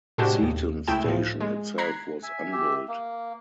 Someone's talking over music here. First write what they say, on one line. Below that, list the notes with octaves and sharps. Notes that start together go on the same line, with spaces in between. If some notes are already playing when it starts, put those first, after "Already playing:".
Seaton station itself was unbuilt.
A2 C3 G#3 D4 F#4 G4
D#2
C#2 A3 E4 G#4 G5 E7
A2 F3
G#3
A#5 F#6 G#6 B6 C7
E5 G#5
G4 E5
A#3